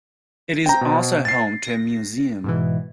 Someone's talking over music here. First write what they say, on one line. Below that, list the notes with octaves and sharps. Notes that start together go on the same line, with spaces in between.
It is also home to a museum.
C4 G5 A#5
B2
A6 C7
A#6
G#2 B2 E3